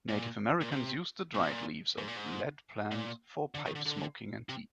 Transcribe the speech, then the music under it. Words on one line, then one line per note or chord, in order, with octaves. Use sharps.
Native Americans used the dried leaves of lead plant for pipe smoking and tea.
A#2
A#2
C3
A#2
C3
A#2
G#2
A#2
G#2
A#2
D3
D#3
D3
D3
C3